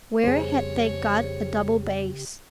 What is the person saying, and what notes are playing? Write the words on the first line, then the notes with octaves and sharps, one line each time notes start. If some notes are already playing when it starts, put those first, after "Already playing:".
Where had they got a double bass?
F2 C#3 G3 B3 G4 G#4 C5 C#5